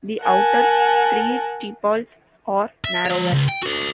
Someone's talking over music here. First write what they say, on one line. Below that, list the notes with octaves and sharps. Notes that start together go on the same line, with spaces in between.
The outer three tepals are narrower.
A#4 F#5 G#5 A5
E5
F3 C#5
C#2
G5
F#4 A4